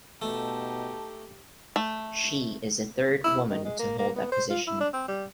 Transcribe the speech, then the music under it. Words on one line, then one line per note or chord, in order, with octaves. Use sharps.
She is the third woman to hold that position.
B2 A3 D#4 G4 A5
A3
E4
D#3
G#3
A#3
A#3
B3
C5
F4
E4
D4
C4
G3